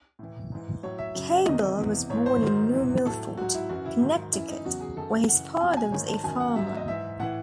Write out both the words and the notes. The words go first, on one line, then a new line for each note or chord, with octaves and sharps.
Cable was born in New Milford, Connecticut, where his father was a farmer.
A2 E3
G#2 E3
A2 F#3 C#5
E5
F#2 C#3 F#3
E2 C3 D#3 F#3 D#5
E2 C3 E3
G#2 E3 C#5
C5
G#2 D#3 F#3
E2 C3 E3
A2 F#3 A4
G#2 F#3 F#4
E4
F#2 E3 F#4
E4
G#2 D#3 F#3
F#2 E3 E4
D#4
E2 C#3 F#3 F#4
G#4
F#2 D#3 F#3 A4
F#2 C#3 E3 F#5
E2 C3 F#3 G#5
G#5
G#2 D#3 F#3 C#5
A5
F#2 D#3 F#3 G#5
F#5
G#2 F#3 E5
E5
D#5
G#2 E3 E5
A2 E3 F#5